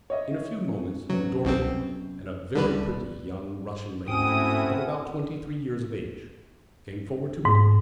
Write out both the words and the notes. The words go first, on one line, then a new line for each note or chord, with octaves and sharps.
In a few moments the door opened, and a very pretty young Russian lady of about twenty-three years of age came forward to meet me.
C#5 D#5 E5
F#2 C3 F#3 B3
C2 B2 C4
C2 D3 G3 B4 D5
G#2 A3 C4 C#4 E4 F#4 G5 D#6
G#2